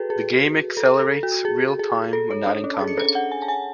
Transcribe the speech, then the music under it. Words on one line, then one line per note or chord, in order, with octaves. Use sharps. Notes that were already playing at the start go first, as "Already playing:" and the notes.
The game accelerates real time when not in combat.
Already playing: F#4 G#4 A4 B4
G#4
A4
A4
F#4
G#4
G#4
A4
C#5
D4
C#4
G#4
A4
F#5
G#5
A5
G#5